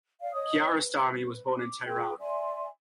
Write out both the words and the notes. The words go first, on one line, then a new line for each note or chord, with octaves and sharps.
Kiarostami was born in Tehran.
D5 F5
C#5 D#5 D#6
B4
D6
F4 G#4 B4 G5
D5 E5 G#5 C6